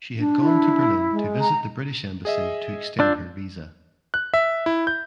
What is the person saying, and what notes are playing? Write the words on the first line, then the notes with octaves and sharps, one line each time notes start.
She had gone to Berlin to visit the British embassy to extend her visa.
D4
E4
G#3
A#5
G#4 D#5 E5
D4 F4 E6 G6
F#6
E5
E4
G6